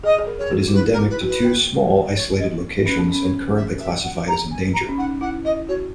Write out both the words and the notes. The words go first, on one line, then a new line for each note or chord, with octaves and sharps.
It is endemic to two small, isolated locations and currently classified as endangered.
G#4 D#5
G#4
A#4
G#4 C#5
F#4
E4
D#4 B4
A#4
E4
B4
F#4
B4
A#3
C#5
D#5
C#4 B4
B3
C#4
C#5
E5
E5
F#5
A#5
G#5
A#5
C#4
D#4 F#5
E4 F#5
E4 D#5
F#4 C#5